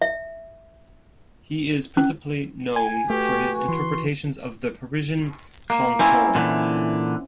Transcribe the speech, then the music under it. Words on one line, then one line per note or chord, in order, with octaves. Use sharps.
He is principally known for his interpretations of the Parisian chansons.
E5
C#4
G#5
A3 F#4 G4 B4 C#6
E3 C6
A#3
C4 C#4 E4
A#2 D3 E3